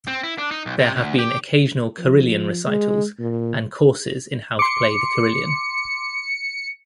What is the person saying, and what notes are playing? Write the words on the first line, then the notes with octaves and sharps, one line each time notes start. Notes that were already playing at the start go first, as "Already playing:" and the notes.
There have been occasional carillon recitals and courses in how to play the carillon.
C4
E4
D4
D#4
B1
C3
D2
G4
F3
G#3
A#2
C6 D6 C#7